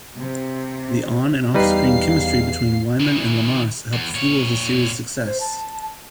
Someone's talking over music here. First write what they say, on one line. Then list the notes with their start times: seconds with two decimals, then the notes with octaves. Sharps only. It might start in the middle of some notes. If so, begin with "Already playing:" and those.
The on- and off-screen chemistry between Wyman and Lamas helped fuel the series' success.
0.16 C3
1.54 E2 G3 D#4 B4 F5 C7
3.00 D#3 E3
3.93 E2
4.15 A#2 C#5
5.26 C5
5.40 A5